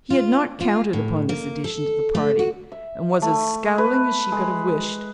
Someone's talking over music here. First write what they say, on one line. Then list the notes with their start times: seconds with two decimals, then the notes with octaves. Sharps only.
He had not counted upon this addition to the party, and was as scowling as she could have wished.
0.10 F4
0.60 F4
0.93 A2
1.29 A#3
1.64 A4
2.15 A3
2.39 F#4
2.72 E5
3.22 A3
3.78 B4
4.32 G#3